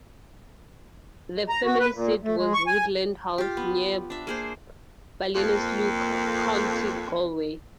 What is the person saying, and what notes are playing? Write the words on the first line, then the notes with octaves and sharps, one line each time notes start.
The family seat was Woodlawn House, near Ballinasloe, County Galway.
A#5
F#4
B4
A#2
A3
G#3
C#6
G#5
F4 G4
B3
D4 E5
A#3 G#4 C5
F2 A#3